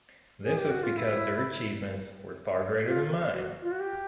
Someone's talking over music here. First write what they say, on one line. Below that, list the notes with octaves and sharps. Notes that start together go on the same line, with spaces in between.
This was because their achievements were far greater than mine.
G#4
G4
F#4
F4
E4
F4
F#4
F4
F#4
G4